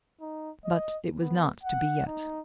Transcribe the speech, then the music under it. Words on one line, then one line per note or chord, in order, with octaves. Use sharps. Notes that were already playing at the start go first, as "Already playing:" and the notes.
But it was not to be yet.
D#4
D#5
B3
F#5
D#4